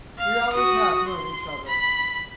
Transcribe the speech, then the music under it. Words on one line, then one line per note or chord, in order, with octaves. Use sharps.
"We always have known each other."
F5
F#4 D#6
C6
B5